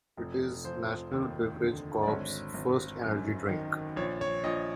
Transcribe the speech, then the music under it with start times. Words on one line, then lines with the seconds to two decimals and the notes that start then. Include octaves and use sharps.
It is National Beverage Corp.'s first energy drink.
0.17 F1
0.65 F3 C5
1.11 D#2
1.60 D3
2.03 D5
2.07 G#1 C#5
2.54 G#1
3.01 F#2
3.49 D#3
3.96 A#1 C#5
4.21 C#5
4.44 A#1 D#5